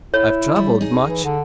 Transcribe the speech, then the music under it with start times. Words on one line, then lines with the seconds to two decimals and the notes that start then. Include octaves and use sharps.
I've travelled much.
0.14 E4 C#5
0.56 G3
0.81 D#4 G#4
1.07 E3
1.24 D3